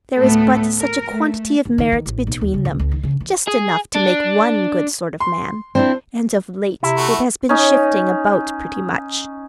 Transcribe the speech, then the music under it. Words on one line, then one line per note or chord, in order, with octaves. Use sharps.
There is but such a quantity of merit between them; just enough to make one good sort of man; and of late it has been shifting about pretty much.
D2 A2 A3 B3 A4
A#4
A3
D#2
D#3
D#3
A1
B1
D#2
C#3
C#2
C#2
D#3
C#3
E3
G#4
D4
C6
C4 D4 E4 C5
C3 E4
A3 F#4
C#4 D#4